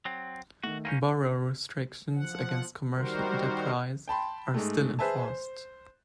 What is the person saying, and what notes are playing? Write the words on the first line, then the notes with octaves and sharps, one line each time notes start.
Borough restrictions against commercial enterprise are still enforced.
F#3 C4
D#3 A3 F#4
A#3 C4 C#4 G6 D#7
F3 F#5
D#3 G3 F#4 A#4 C5
G5 A5 B5 C6
G#2 G#3 A3
G#4 B4 C5 E5 G#5 A5
C5